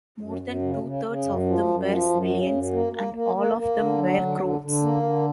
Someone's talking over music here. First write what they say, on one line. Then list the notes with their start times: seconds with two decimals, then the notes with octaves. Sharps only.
More than two thirds of them were civilians, and all of them were Croats.
0.21 F#2
0.41 F#2
0.62 C#3
0.83 C#3
1.05 C#3
1.25 F#2
1.46 F3
1.67 F#2
1.88 F3
2.09 F#2
2.30 C#3
2.51 F#2
2.72 A#3
2.93 A#3
3.14 A#3
3.35 A#3
3.56 A#3
3.77 D3
3.98 F#3
4.19 D3
4.40 D3
4.61 D3
4.82 A#3
5.03 D3